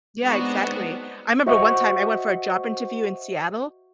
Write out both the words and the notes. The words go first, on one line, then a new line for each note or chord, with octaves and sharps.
Yeah, exactly. I remember one time I went for a job interview in Seattle,
G#3 B3 C4 D4 D#4 F#4
F#4 C5 D#5 E5 F#5 C#6